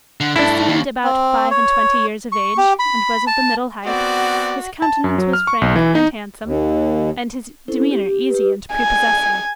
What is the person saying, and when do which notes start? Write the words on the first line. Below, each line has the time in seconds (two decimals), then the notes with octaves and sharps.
He seemed about five-and-twenty years of age, and was of the middle height; his countenance was frank and handsome; and his demeanor easy and prepossessing.
0.20 D3
0.36 G#2 D4 E4 A4
0.68 D#2
1.04 C4
1.51 C#5
2.32 C#6
2.57 G4
2.79 B5
3.27 A5
3.85 B3 C4 F#4 D5
4.82 A5
5.04 F#2
5.18 F#3
5.33 F6
5.47 C#6
5.61 B1
5.75 E3
5.95 D#4
6.45 D#2
7.68 C4 C#4 E4 A4 C5
7.91 G4
8.30 G4 B4
8.75 G#5